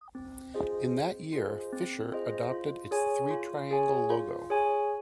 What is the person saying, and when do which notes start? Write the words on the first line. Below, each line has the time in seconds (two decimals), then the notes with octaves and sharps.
In that year, Fischer adopted its three-triangle logo.
0.15 C4
0.54 F4 G#4 C5 D#5
0.93 C4
1.33 F4 G#4 C5 D#5
1.73 C4
2.12 F4 G#4 C5 D#5
2.51 F4
2.91 G#4 C#5 G#5
3.30 F4
3.71 G#4 C#5 G#5
4.10 F4
4.50 G#4 C#5 G#5